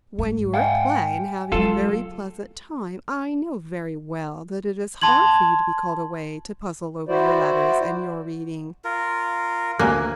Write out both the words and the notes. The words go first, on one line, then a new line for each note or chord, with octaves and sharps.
When you are at play, and having a very pleasant time, I know very well that it is hard for you to be called away to puzzle over your letters and your reading.
G#2
F5 G5 G#5
F#3 G#3 F4 A4
A5 C6 G#6 F#7
E4 F#4 C5 D5
F4 A#4
D2 A#3 G#5 F#6